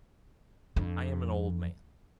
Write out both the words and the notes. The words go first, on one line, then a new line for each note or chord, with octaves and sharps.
I am an old man.
F2 D4